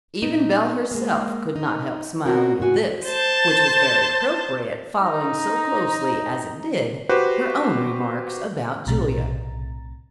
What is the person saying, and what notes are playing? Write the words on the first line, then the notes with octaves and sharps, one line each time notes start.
Even Belle herself could not help smiling at this, which was very appropriate, following so closely, as it did, her own remarks about Julia.
A#2 D#4
G#3 A#3
D#4
C4 C#4 F4 F#4 A#4
A2 C#3 F#4 G#5
C5 A5
D#4 A#5
F#4 G4 B4 C5
B1 A2 C3 A#5 A6